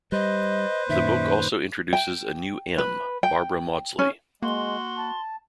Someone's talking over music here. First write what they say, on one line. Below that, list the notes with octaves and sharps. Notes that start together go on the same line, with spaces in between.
The book also introduces a new M, Barbara Mawdsley.
G3 B4 C5 D#5
F#2 A#2 D#3 E5
G5
B4
G5
C#4
G#3 A#3 F#4 C6
A5